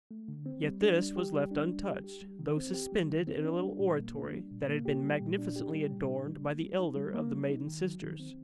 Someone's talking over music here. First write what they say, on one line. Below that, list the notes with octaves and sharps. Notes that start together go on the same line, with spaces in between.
Yet this was left untouched, though suspended in a little oratory that had been magnificently adorned by the elder of the maiden sisters.
A3
D3
C4
G3
D4
G3
G4
G3
D4
G3
G4
G4
G3
D#3
C4
G4
G3
D#3
C4
D4
G3
A#2
A#3
D4
G3
A#2
A#3
G4
G3
A#2
D4
G4
G3
A#2
D4
G3
A#3
G3
D#4
G3
A#3
G3
D#4
D#3
F#3
D#3
C4